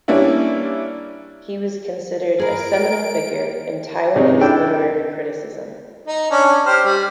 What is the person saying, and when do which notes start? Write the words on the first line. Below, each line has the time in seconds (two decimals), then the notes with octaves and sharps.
He was considered a seminal figure in Taiwanese literary criticism.
0.08 G3 A#3 C#4 D4 E4
2.39 G#4 A#4 B4 D7
4.16 C3 G#3 C#4 D#4
4.41 D4 E4 A4 G5
6.08 D#4
6.31 C#4 D4
6.66 G4 C5 F6
6.85 G3